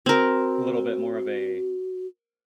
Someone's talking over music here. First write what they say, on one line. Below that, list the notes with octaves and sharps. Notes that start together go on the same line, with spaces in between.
little bit more of a,
C4 F#4 A#4